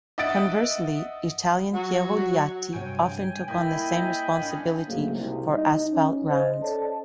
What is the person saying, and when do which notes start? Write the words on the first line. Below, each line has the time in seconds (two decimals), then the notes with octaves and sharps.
Conversely, Italian Piero Liatti often took on the same responsibility for asphalt rounds.
0.18 D#5 E5 F#5 D#6 A6 D7
1.74 F#3 F#4
2.73 G2 C3 C#5 G5 G#5
3.48 A#3 E4 D#5 G5 G#5 B5
4.39 C#4 D4 F4
4.88 G#2 C#3 F#3 A3 A#3
5.18 C2
5.55 D#4
5.93 C#4
6.29 C5 D#5
6.62 A4 C#5 D5 A5